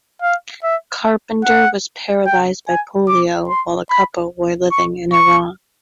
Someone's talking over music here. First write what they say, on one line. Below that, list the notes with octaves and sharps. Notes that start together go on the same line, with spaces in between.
Carpenter was paralyzed by polio while the couple were living in Iran.
F5
E5
F#5
G5
G#5
D6
C6
B5
C#6
C#6